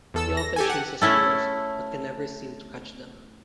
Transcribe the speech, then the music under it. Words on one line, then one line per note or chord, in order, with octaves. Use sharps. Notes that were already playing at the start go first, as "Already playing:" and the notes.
He often chases worms, but can never seem to catch them.
E2 A4 E6
A#6
G4 A4 G#5
F#5
A3 C#4 E4 A4